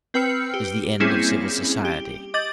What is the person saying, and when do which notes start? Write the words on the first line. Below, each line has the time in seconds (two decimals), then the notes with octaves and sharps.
It is the end of civil society.
0.14 C4 B4 G5 E6 F6 C#7
0.54 G4
1.00 G3 A#3 C4 C#4 E4 G#4
1.85 G4
2.34 D#5 D6 G6 A6 F#7